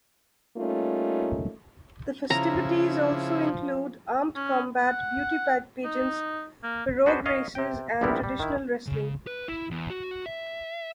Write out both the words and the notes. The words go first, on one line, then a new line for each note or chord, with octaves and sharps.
The festivities also include armed combat, beauty pageants, pirogue races, and traditional wrestling.
G3 A3 A#3 C#4 D#4 F4
C#3 F3 E4 A#5
C#4
F#5
D#4
A#3
D4 F#4 G#4 B4 C5
D#3 C#5 D#5 F5
C3 G5
A#1 C3 G3 B3 E4 A#4
G3
D#3 E4
C#3
B4
E4
E2
F#4
E5